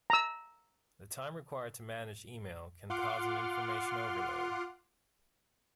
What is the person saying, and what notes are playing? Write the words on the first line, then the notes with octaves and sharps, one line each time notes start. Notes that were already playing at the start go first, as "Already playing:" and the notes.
The time required to manage email can cause an information overload.
A#5 E6
F4 F#5 C6 D6 F6